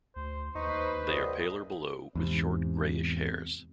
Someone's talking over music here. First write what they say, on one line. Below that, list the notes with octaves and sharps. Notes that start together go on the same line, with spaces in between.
They are paler below, with short, grayish hairs.
D2 C5
D#2 D#4 B4 C5 C#6
C2 D#5
E2 G#2 C3